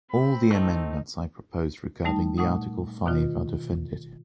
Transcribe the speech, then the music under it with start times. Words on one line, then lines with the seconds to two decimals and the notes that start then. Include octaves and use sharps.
All the amendments I proposed regarding the Article five are defended.
0.11 C4 B5
0.51 A3 D#4 D#5
2.05 G3 A3 D#4 A5
2.38 A#2 A3 F#5 D#6
3.06 B2 D#3 F4